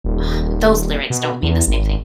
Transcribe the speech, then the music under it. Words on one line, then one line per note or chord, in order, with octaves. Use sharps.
Um, those lyrics don't mean the same thing.
D#1
B2
E2
G#1